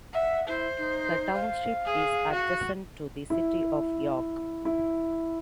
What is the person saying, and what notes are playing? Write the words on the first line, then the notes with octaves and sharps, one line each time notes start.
The township is adjacent to the city of York.
E5 F#5
E4 C5
D#4
F5
G#4
F#4
E4
E4